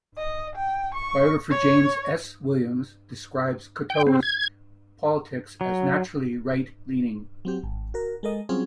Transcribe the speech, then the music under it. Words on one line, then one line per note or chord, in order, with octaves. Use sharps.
Biographer James S. Williams describes Cocteau's politics as naturally Right-leaning.
D#5
G5
C#6
C#5
G5
C4
G#6
F#3
F#3 C4 G4
G#1
F#4 A#4
G#3 A4 A#4 D#5
F#3 G3 C4 C#4 F4 G#4